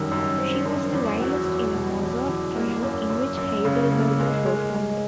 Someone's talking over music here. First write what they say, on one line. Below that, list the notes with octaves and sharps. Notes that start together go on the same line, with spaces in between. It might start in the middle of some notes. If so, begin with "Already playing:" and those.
She was the violist in a Mozart trio in which Heidelberger performed.
Already playing: F#2 D#3 G3
F#2
C4
F#2
E2
F#3
E2
B2
E2
E2
A#3
F#2
F#2
F#2
C#3
A#3
G#3
G#3
G#3